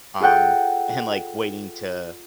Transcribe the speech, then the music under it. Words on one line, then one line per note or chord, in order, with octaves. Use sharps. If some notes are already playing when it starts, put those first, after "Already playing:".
um, and like, waiting to
F4 G#4 A4 F#5 G5